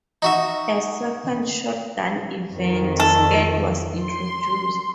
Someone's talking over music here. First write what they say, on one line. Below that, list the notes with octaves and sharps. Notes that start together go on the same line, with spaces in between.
A second shotgun event, Skeet, was introduced.
D#4 F#4 E5
F2 D#3
A4
C6